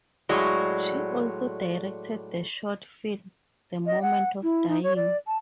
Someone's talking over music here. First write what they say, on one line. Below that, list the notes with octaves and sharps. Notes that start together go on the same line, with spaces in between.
She also directed the short film "The Moment of Dying".
A2 F#3 G#3 D5 C6 C#6
D#5
F#5
E4
D#4
C#5
D5
A5